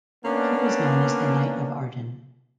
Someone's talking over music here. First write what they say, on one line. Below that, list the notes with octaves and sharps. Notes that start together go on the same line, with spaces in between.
He was known as the Knight of Arden.
A#3 B3 C#4 D4